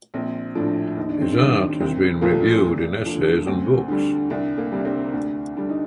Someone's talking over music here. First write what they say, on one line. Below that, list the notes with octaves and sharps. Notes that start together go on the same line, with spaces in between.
His art has been reviewed in essays and books.
A#1 C4
A2 F3 D4
D#2 D#4
D4
C4
D4
D#3 G3
C2 C4
A#2 F3 A3 A#3
C4
F1 A#3
D#2 D3 F3 A3
D2 C4
D3 G3
C2 D4
A#3
C3 G3
D4
C4
D2 D4
D3 G3 D4
D#4